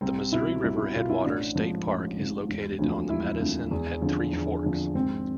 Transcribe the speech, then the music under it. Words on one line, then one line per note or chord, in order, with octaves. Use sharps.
The Missouri River Headwaters State Park is located on the Madison at Three Forks.
C2 C4
B2 E4
C2 E4
E4
B2 F4
E4
A1 D4
G#2 F3
A1
G#2 F3
E1
D2 D3 F3
E1 E4
D2 D3 F3
E2
D3 F3
E2
D3 F3
G#1 C4